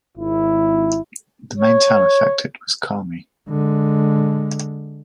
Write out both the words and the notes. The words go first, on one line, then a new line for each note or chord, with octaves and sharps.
The main town affected was Carmi.
G#1 E4
C#5
D3 G#3